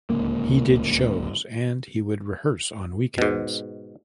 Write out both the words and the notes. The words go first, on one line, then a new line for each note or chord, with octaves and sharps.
He did shows and he would rehearse on weekends.
D1 C#2 A#3
G#2 B2